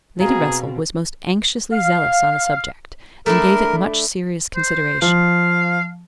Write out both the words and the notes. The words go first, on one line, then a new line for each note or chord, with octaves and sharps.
Lady Russell was most anxiously zealous on the subject, and gave it much serious consideration.
B2 C4 F#4 G#4 F5 A#5
F5
A3 D4 E4 A#4
C5
F3 F5